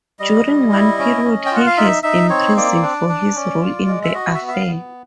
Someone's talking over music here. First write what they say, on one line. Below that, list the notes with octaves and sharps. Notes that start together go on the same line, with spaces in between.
During one period he has imprisoned for his role in the affair.
G3 D#5
G3
E4
C#4
C#4
G5
F4 F#5
F5
D#4 E5
D#4 E5
C4 C#5
A#3 D5
D4
D4
C#4
F4
G#3
E5
F#4 D#5
E5
B3
E5
F5
B3